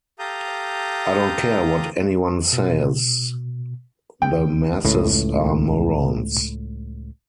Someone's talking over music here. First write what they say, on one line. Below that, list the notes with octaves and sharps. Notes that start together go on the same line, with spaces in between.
I don't care what anyone says, the masses are morons.
G4 A4 F5 A#5 D#6 G6
B2
D2 B3 G5
C#2 A2